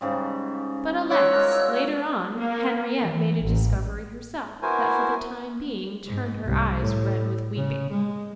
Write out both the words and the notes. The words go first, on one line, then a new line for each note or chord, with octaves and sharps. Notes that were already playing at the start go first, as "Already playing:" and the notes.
But, alas! later on Henriette made a discovery herself that for the time being turned her eyes red with weeping.
G#2 C#3 G3
F4 F#4 C#5 D5 E6 F#6
G#3 A#4
A#3
E3
A1
B3 E4 F#4 A#4 C5 G#5
G#2
C2
A2
C#3
G#3